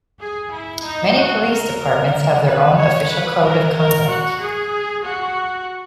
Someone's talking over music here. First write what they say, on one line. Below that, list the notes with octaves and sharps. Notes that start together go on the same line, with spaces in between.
Many police departments have their own official code of conduct.
G#4
E4
D#4
F#4
A#4
A#4
B4
C#5
B4
A#4
A#4
F#4
G#4
F#4